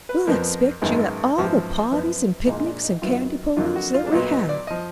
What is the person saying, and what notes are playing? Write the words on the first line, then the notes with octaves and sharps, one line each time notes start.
We'll expect you at all the pahties and picnics and candy-pullin's that we have.
B4
F2 F3 B3 A#4
G#1 F#2 D#3 G#3 B3
G#1 F#2 F3 B3
F#2 F3 B3
A#1 A#2 G#3 D#4
D#4
D4
D#4
F#2 D#3 F#3 B3 F4
F2 D3 F#3 A#3 F4
F#4
F4
D4
B1 A#2 F#3 B3 D#4
D#4
D5
F3 D#5